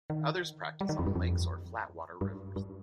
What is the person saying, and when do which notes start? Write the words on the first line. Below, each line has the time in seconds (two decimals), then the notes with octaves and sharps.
Others practice on lakes or flatwater rivers.
0.10 D#3
0.81 G3
0.89 D#3
0.99 F2
1.06 G2
1.15 F2
2.21 G2
2.56 G2